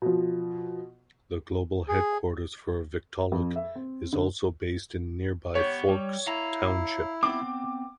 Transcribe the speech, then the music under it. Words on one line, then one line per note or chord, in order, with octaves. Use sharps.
The global headquarters for Victaulic is also based in nearby Forks Township.
B2 F3
G#4
F2
E5
C4
D3
B3 G4 C#5
G3
E4 F5 A#5
B3 C4 D6